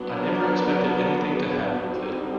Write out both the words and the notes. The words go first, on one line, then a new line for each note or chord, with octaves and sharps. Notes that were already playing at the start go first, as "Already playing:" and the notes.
I never expected anything to happen with it.
Already playing: F#3 B3 D4
A#4
G#4
F#4
D3 G3 C4 D#4 F#4